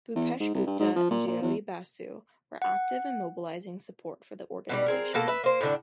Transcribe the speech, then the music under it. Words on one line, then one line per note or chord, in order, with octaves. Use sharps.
Bhupesh Gupta and Jyoti Basu were active in mobilizing support for the organization.
E2
G#2
C2
G2
G#2
F3
A#2
A#2
E2
F#5
B2 D#3 G3
C4 G#4 A#4
B2 A#3 A4 A5
B4 E5
A#3 C5
A2 D3 D4